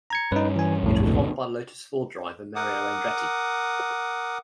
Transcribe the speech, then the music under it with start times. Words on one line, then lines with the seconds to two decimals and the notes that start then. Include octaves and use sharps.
It was won by Lotus-Ford driver Mario Andretti.
0.10 A#5 G#6 C#7
0.32 G2 C#4 D#4 B4
0.56 E3 G#5
0.82 B1 F2 A2
1.06 C#2 B2 D3
2.55 A#4 F#5 D6 D#6